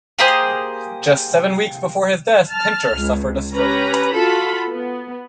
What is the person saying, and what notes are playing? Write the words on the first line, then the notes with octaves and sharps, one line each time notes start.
Just seven weeks before his death, Pincher suffered a stroke.
A#3 G4 G#4 C5
A5 F6
C#2
C#4 G4 B4 A#5
F4 F#4 A4 B5
B3